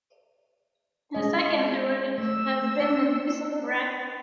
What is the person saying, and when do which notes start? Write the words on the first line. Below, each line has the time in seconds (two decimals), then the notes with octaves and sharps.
In a second there would have been the deuce of a wreck.
1.15 G#3 D#5
2.18 A3 E6
2.81 D4